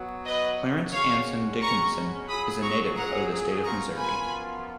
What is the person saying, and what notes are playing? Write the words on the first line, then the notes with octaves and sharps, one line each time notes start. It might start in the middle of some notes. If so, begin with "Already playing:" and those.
Clarence Anson Dickison is a native of the state of Missouri.
Already playing: F#3 B3 F#4
B4 D#5
B2 G#3 C#4 F#4 C#5 F5
A#5 C#6
F#3 C#4 F4 G#4 B5 D#6
A#5 C#6
F#5 A#5
F#2 F3 B3 F4 A#5 C#6
G#5 B5